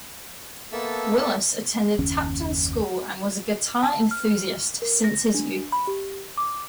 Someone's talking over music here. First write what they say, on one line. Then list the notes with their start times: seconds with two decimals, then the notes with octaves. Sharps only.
Willis attended Tapton School and was a guitar enthusiast since his youth.
0.72 A#3 B3 A4 E5 A5 E6
1.99 F#1 D#2 C#4
3.83 A5
4.11 F6
4.82 A#4
5.04 A#6
5.34 D4
5.72 B5
5.87 G4
6.37 D6